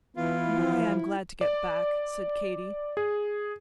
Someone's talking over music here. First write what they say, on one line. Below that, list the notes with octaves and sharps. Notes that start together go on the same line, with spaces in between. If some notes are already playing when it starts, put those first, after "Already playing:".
"My! I'm glad to get back," said Katy.
E3 B3 E4 F4
F3
D5
G#4